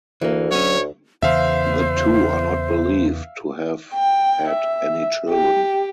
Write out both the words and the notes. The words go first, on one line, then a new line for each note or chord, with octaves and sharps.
The two are not believed to have had any children.
D2 E3 A#3
F#3 C#4 C#5
E2 C#3 E3 C5 E5 F5
G5
E5
G4